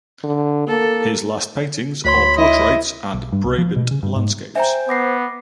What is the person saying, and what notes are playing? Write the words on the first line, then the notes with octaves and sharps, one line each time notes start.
His last paintings are portraits and Brabant landscapes.
D3
A#3 A4
D2 C#5 B5 C6
E4 D#5
B1
G2
C2
F3
B2
C#3
G2
G#2
C5 E5 G5 G#5 A#5
B3 D6 A#6 C7